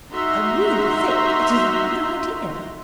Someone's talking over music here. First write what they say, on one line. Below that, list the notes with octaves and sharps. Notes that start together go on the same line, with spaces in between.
'I really think it is a good idea.
D#4 F#4 E5 A#5 C6